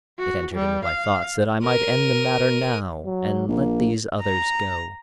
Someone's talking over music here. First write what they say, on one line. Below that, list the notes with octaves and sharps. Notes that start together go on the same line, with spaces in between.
It entered into my thoughts that I might end the matter now and let these others go.
F#4
G3
F5
A#4 D#7
F#3
A#1 A#3
A#5